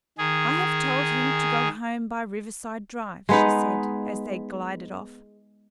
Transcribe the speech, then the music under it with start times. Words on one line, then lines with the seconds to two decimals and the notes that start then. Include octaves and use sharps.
"I have told him to go home by Riverside Drive," she said, as they glided off.
0.18 D#3 G#4
3.29 G#3 B3 D#4